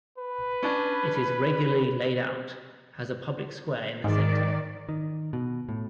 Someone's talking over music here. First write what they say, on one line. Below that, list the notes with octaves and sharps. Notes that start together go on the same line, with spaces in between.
It is regularly laid out, has a public square in the center.
B4
C#4 D4
G#2 D#3 D5
D#3
B2
A2